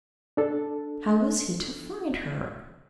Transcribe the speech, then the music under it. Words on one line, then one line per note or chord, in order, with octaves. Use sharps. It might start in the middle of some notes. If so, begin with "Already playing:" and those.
How was he to find her?
D4 A4